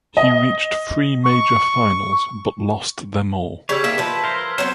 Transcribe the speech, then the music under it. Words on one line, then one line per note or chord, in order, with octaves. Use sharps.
He reached three major finals, but lost them all.
D#5
C#6
C#3 G3 C#5 E6 G#6 B6
A#3 C4 D#4 E5
F3 B4
A#4 C5
F#3 B3 C4 C5